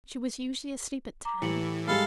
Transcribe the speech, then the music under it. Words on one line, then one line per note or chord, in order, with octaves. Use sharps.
She was usually asleep at ten.
A#5 D6
A2 E3 G4 C#7 F#7
G#2 G3 G#3 A4 F5 B5